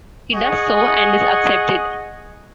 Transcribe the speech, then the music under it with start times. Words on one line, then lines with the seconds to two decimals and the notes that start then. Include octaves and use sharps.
He does so and is accepted.
0.34 G#4 D#5 F#5 G#5 C#6